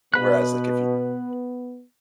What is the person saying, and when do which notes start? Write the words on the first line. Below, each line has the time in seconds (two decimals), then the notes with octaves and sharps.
whereas, like, if you
0.14 B2 B3 B4 B5 F#6